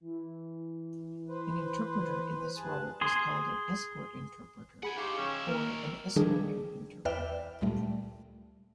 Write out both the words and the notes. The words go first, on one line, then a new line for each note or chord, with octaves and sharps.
An interpreter in this role is called an "escort interpreter" or an "escorting interpreter".
E3
B4 C5
G2 G#4 A5 F#6
G#4 C6
G#4 F#5 G#5 B5
D#4 G4 C5 F5 G5 C#6
D#3 C#4 E5
A#3 A#4
D3 D#3 F3 G3 D4 G#4
E2 B4 D5 E5 G5 F6
D2 A#2 G3 A3